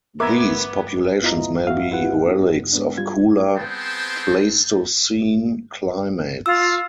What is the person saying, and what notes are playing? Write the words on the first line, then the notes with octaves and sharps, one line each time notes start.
These populations may be relics of cooler Pleistocene climates.
B3 A#4 E5 D6 G#6
B3 E4 F4 D#5 A#5
F#4 E5 F5
E4 F4 G4 B4 F#5
B3 D4 G4
G#3 B3 D4
G3 F4 G#6
B3 C4 G#4 C5 G5 A5
F4 E6